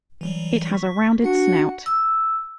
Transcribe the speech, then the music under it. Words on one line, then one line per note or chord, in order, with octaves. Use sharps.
It has a rounded snout.
E3 F#3 G3
C#6 B6
D4 F#4 C#7
E6